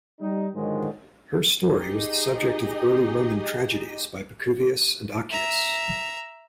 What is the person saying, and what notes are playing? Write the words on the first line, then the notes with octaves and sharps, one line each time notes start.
Her story was the subject of early Roman tragedies by Pacuvius and Accius.
G3 D#4
G#2 D3 D#3 F3 F#3 G#3
D#4 G4 G#4 D#5
E5 A#5